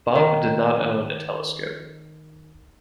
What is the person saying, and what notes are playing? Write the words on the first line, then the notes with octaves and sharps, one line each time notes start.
Bopp did not own a telescope.
D#3